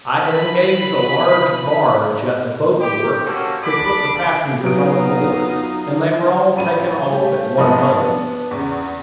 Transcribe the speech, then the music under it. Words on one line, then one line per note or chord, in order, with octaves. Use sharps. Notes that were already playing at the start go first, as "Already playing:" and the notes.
I had engaged a large barge at the boat-wharf to put the passengers on board, and they were all taken off at one load.
B4 B5
G4 D6
A#3 C#4 F#4 G4 A4 C5
D4 B5 D6
F#3 B3 D#4 F4 F5 A#5 D#6 D7
A1 B5 D#7
G3 A3 G4
A#1 G#2 F3 B4 D#5 D#6
B3 D4
E2 C#3